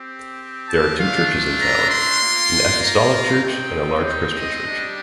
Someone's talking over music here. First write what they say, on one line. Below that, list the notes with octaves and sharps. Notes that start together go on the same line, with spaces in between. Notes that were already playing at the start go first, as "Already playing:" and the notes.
There are two churches in town, an Apostolic Church and a large Christian church.
Already playing: C4 G4
A5
A3 D4 F4 F5
A#5
C6
A#3 F4
A#5
A3 C4 D#4 G5
G5
D#5
G3 D4 G4